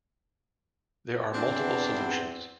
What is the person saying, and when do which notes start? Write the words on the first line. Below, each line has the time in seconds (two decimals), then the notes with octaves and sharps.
There are multiple solutions.
1.34 E2 C4 D4